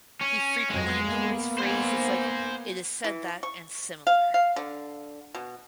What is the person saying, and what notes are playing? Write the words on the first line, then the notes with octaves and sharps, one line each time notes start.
He frequently employs phrases like "it is said that" and similar.
C#4
F2 F#3 G#3
A#3 B3
C5 G#5
E3
C#6
F5
F5
D3
B2